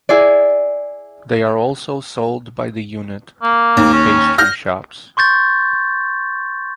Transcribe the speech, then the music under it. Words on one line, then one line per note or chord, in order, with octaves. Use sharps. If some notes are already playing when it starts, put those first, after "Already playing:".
They are also sold by the unit in pastry shops.
E4 G#4 D5
A#3
D#2
C#4
F6 G6 A#6
C6 C#6 G6 A6